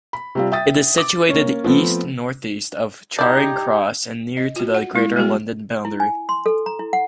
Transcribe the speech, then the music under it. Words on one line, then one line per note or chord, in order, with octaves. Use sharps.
It is situated east-northeast of Charing Cross and near to the Greater London boundary.
B5
C3 G3 F4
E5 G5 D#6 A6
D6
A#3 C#4
F3 A3 B3 C4
D#4 E4 G4 D5 G6 G#6
D#5
F4 F#4
F#5
G#3 E4
G3 G#3 B3 F#4 G#4
E4
G#5
C6
A4
A#5
E4
F#5